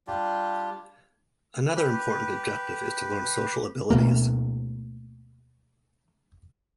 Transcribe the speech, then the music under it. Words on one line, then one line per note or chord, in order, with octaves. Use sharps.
Another important objective is to learn social abilities.
G3 D4 F4 G4
G4 B4
D2 B2 A3 A#3